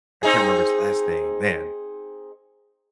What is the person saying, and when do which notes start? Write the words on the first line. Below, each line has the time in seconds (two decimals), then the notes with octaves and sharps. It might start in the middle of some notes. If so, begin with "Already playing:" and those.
I can't remember his last name. Man.
0.23 C4 D#4 G#4